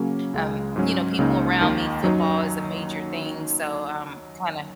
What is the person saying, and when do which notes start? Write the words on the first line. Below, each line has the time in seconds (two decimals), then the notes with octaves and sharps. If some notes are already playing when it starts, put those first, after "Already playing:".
um, you know, people around me football is a major thing, so I'm kinda
Already playing: C#3 F#3 A#3 C#4
0.34 C#2 C#3 G#3
0.76 G#2 F#3 C#4
1.18 C#2 C#3 A#3 D#4
1.61 D#2 D#3 A#3
2.03 F#2 F#3 D#4